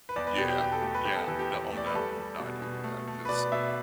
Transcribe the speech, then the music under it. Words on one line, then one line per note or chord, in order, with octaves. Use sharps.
Yeah, yeah, no oh, no, no, I don't do that, 'cause
B4
E2 D5
B4
B2 G4
G4
E2 G4
A4
A3 G4
B4
E2 G4
A4
E3 A4
G4
E2
A3
D5
B4
G3 A4
G3
B2
B2
A3
A3
B4
B2 D5
B2 E5